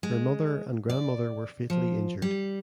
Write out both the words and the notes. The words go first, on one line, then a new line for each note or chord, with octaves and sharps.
His mother and grandmother were fatally injured.
G#3
D5
F3
G3